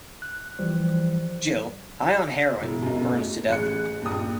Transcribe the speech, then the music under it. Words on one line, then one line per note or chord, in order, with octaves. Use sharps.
Jill, high on heroin, burns to death.
F#6
E3 F3 G3 C5
E1 E4
B1 F#2
A3
A1 G#4 F#6 C#7
G2 A#2 G4 D#6